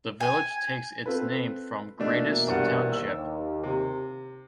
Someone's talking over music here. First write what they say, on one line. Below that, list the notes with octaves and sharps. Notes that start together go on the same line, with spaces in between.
The village takes its name from Gratis Township.
G#5
C4 F4 A4 B4
B2 E3 A3 A#3 D4 D#4
C2 G2 F#5
D#2 E6
C3